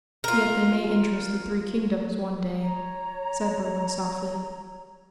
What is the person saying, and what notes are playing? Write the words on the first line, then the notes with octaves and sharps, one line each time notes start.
"Yet they may interest the three kingdoms one day," said Berwin softly.
F4 A#4
C#5 A#5